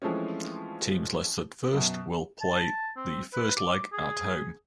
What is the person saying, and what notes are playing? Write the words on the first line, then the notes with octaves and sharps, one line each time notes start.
Teams listed first will play the first leg at home.
E3 F3 G#3 A3 C4 C#4
F#2 B2
A5
C4
B4
D6
G#4